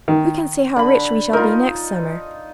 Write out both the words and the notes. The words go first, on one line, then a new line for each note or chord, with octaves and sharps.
Who can say how rich we shall be next summer?
D#3
D3 B5
D#4 F4 A#4